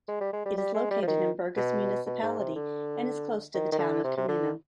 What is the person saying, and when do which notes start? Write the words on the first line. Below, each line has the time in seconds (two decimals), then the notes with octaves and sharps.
It is located in Burgas Municipality and is close to the town of Kameno.
0.08 G#3
0.21 G3
0.33 G#3
0.45 G3
0.58 G3
0.74 G#3
0.91 G3
1.02 F3
1.07 D#3
1.57 B2
2.06 B2
2.22 G#2
2.39 C3
2.56 D3
3.54 D#3
3.72 D#3
3.79 D3
4.04 C3
4.17 C3
4.28 D3